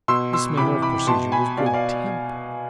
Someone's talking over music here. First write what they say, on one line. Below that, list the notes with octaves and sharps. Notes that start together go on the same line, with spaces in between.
This manner of procedure was good-tempered.
B2 C6 E6
C6 E6
C3 E3 B5 D6
B5 D6
B2 A5 C6
G#5 B5
B2 D5 F5
G#5
D5 F5